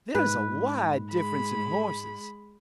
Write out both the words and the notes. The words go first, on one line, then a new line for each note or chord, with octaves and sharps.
There is a wide difference in horses.
G#2 B4
G#3 B5